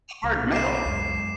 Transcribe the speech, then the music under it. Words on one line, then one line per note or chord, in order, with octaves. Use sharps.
hard metal.
C2
D6 C7 E7
C#2 F#2 G#3